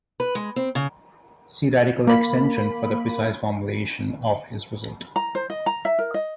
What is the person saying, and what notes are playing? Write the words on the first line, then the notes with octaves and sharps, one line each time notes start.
See Radical extension for the precise formulation of his result.
B4
G#3
C4
C#3
A#3 B5
A#5
C5
D#5
A#5
E5
A#4
D#5